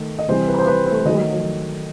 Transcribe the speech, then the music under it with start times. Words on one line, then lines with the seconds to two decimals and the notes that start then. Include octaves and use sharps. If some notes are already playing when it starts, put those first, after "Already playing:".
Oh, cool.
Already playing: D#3 A3
0.19 D#5
0.28 C3 E3 G3 C5
0.48 B4
0.59 C5
0.67 B4
0.86 C5
1.05 D#3 F#3 A3 D#5